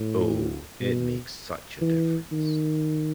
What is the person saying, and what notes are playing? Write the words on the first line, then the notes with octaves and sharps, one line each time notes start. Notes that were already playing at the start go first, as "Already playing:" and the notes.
Oh, it makes such a difference.
Already playing: A2
B2
E3
D#3